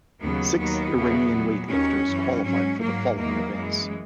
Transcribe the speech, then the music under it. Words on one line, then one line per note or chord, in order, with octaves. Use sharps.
Six Iranian weightlifters qualified for the following events.
D#2 C#3 F#3 B3
D#2 D#3 F#3 B3
E2 C#3 F#3
A#2 F#3
D#2 D#3 F#3 C#4
F#2 E3
G#2 F#3 C#4
G#2 F#3 A#3
E2 D#3 F#3 A#3
F#2 E3 G#3